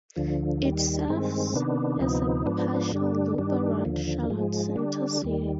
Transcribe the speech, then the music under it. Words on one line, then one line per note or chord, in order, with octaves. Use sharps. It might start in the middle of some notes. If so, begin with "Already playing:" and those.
It serves as a partial loop around Charlotte center city.
D2 D3 F3
D#2 D#3 G3
G2 D#3 G#3 C4
C3 D#3 B3 D4
D2 C3 F3 B3 D#4
G#2 F3 B3 D4
G2 D3 G3 D4
G2 D#3 G3 D4
D#2 D3 F3
G#2 F3 G#3
D3 G3 D4
D#2 D#3 G3